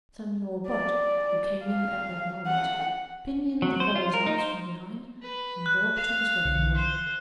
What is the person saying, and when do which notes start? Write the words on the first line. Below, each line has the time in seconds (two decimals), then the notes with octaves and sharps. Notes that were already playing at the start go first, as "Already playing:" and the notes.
Samuel Budd, who came in at that moment, pinioned the fellow's arms from behind and Bob took his weapon away.
0.69 D5
1.64 F5
2.47 F#5
3.62 F#3
3.80 C5
3.95 F4
4.14 A#4
4.26 D#4
4.39 C5
5.22 B4
5.66 F#6
5.97 F5
6.45 B1 D3 C#7
6.75 C5 C6